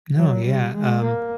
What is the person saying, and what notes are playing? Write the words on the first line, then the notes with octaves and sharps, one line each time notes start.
No, yeah, um,
F#3
G3
G#3
A#3